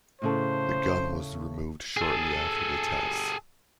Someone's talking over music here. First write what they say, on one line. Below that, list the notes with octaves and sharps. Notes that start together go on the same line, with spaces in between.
The gun was removed shortly after the tests.
A2 C#3 A4 C5
G#4 A4